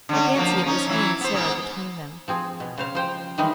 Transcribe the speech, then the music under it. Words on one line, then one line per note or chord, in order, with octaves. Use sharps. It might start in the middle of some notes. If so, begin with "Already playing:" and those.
I fancy it was he and Sarah between them.
D3 C#4
F3 A#3 F#4
C#4 D#4
E3 F#3 E4
B3 C5
G#2 G#3 B3
F3 C4 G#4
B2
C#3 C5 F5
F3 C5 G5
D#3 E3 G3 G#3 D#4